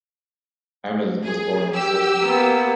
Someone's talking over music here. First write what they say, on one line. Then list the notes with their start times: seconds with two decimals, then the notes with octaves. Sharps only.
Arnold was born in Sursee.
1.23 G#4
1.74 G4 E6
2.21 A#3 B3